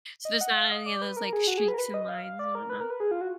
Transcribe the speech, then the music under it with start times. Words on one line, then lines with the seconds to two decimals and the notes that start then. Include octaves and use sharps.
so there's not any of those, like, streaks, and lines, and whatnot.
0.25 D#5
0.41 F#5
0.57 F5
0.72 D#5
0.86 D5
1.02 B4
1.17 A#4
1.33 G#4
1.47 F#4
1.58 G#4
1.68 B4
1.74 A#4
1.79 B4
1.94 D#5
2.09 F5
2.24 F5
2.39 D5
2.55 A#4
2.70 B4
2.81 A#4
2.90 B4
3.00 G#4
3.11 F4
3.21 F#4